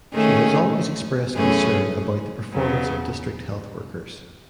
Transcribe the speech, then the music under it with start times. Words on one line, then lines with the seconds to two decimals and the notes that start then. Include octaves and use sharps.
She has always expressed concern about the performance of district health workers.
0.13 D#3 A3 C#4 G#4
1.32 F#2 E3 A3 C#4 G#4
2.52 E2 C#3 F#3 B3